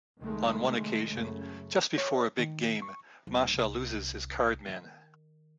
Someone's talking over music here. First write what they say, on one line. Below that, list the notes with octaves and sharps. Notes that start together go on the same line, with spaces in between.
On one occasion, just before a big game, Macha loses his card man.
C2 D#3 G#3 A3
F#2 C#3 A3
C#5
D#3
C#6
D#1
C2
D#3